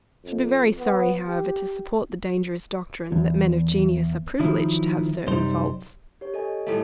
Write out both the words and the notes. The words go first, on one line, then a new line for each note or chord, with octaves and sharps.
I should be very sorry, however, to support the dangerous doctrine, that men of genius are privileged to have certain faults.
F2
B3
G4
E2
D#3 F3 F#3 E4
C2 F#2 G3 D#4 C5
G4 C#5
A4 D#5 G#5
A2 G3 A3 E5